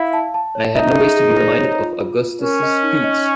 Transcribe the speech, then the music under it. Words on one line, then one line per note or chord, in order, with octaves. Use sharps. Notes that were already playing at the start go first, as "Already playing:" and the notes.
I had no wish to be reminded of Augustus's speech.
Already playing: E4 F5
A5
A5
C#5
D#4 E5
G#4
G#4
C5
C#5
F4
F4
F4
C#4 A#4
D#5
D#4
D#5